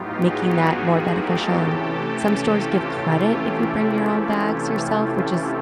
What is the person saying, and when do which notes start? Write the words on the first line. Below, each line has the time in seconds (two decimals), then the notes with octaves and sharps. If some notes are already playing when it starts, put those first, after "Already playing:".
making that more beneficial, and some stores give credit if you bring your own bags yourself, which is
Already playing: A2 F#3 B3 D#4 F4 G4
0.20 F#4 G#4
1.14 G4 A4
1.61 C3 E3 A3 C#4 G4 A4
2.55 F4 G4
3.03 E4